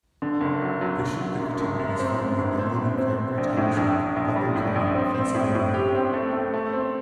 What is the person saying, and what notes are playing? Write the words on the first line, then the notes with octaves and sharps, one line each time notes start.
Bishop Bickerton and his family now live in Cranberry Township, Butler County, Pennsylvania.
D3
F#1
F#3
F#3
F#1
F#3
F#2
F#1
F#2
C4
F#2
G1
C4
G1
C4
C4
A#1
A2
A#1
A#1
A#1
G3
A2
A#1
C4
C4
A2
A2
G4
C4
A3
A3
A3
C4